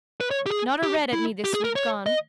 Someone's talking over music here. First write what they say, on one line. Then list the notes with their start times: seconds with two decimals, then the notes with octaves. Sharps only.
Not a red at me this week gone.
0.21 B4
0.31 C#5
0.46 G4
0.51 G#4
0.83 G4
1.13 E4
1.44 G4
1.54 G#4
1.64 A#4
1.76 C#5
2.06 D#5